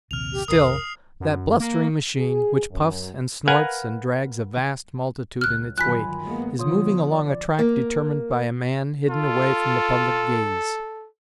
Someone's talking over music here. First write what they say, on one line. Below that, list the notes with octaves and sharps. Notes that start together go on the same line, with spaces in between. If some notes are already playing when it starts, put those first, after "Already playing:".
Still that blustering machine, which puffs and snorts, and drags a vast multitude in its wake, is moving along a track determined by a man hidden away from the public gaze.
A#1 D#2 C3 F6 F7
G4
F1 B1 D#3 A#4 D#6 C7
F#2
A#3
G#4
F#2
A#4 B4 F5 F#5 G#5 A#5
C#2 F6 F#6
G1 D#3 F#3 F4 G#5 B5 F#6 B6
G#3 A#3 B3
D3 F3 B3 F4 C#5 D#6
D5
A#3
F4 A4